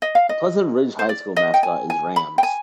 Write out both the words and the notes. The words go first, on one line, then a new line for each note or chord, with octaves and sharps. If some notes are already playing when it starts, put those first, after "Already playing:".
The Pleasant Ridge High School mascot is Rams.
D#5
F5
D#5
C5
D5
D#5
G5
G#5
G#5
B5
G5
G#5